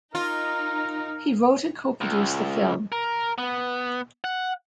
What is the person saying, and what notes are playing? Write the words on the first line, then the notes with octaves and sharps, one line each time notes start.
He wrote and co-produced the film.
D#4 F4 A#4
C#2
A#4
B3
F#5